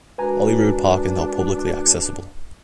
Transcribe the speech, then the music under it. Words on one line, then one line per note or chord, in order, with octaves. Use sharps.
Holyrood Park is now publicly accessible.
G#3 D4 F#4 A#4 B4 G#5 A#5